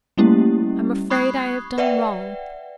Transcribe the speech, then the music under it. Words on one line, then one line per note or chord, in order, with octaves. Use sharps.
I'm afraid I have done wrong.
G3 A3 A#3 C#4 E4 G4
B5 C#6 D#6 F#6 G#6 C7
B4 D5 E5 F#5 G5